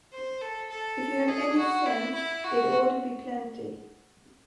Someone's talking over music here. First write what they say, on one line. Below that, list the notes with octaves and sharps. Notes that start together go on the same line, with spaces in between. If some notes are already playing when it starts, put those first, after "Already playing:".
If you have any sense it ought to be plenty.
C5
A4
A4
G#4
F#4
E4
E4
F#4